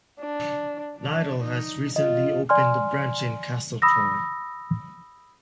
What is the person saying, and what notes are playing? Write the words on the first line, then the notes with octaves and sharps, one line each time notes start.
Lidl have recently opened a branch in Castletroy.
D4
D4
D#4
F4 D#5
D5 G#5 C6 F6
B5 D#6 E6 A#6